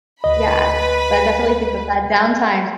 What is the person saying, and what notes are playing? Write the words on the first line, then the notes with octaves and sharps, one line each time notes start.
Yeah. But I definitely think that that downtime
D2 B4 D#5 B5